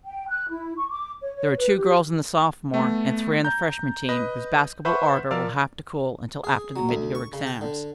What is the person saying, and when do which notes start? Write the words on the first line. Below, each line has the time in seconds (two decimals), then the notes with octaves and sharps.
"There are two girls on the sophomore and three on the freshman team whose basketball ardor will have to cool until after the mid-year exams."
0.05 G5
0.27 F#6
0.49 E4
0.76 C#6
0.89 D6
1.20 C#5
1.35 C#5
1.56 B4
1.74 G4
2.74 A3 B3
3.44 A#5 G6
4.09 B4 D#5
4.85 B4 C5 E5 F#5 B5 C#6
5.31 F3 A#4 D5 F5 E6
6.44 G#4
6.76 F#3
6.89 D2
7.15 C#6
7.33 C#3
7.47 G5
7.61 D3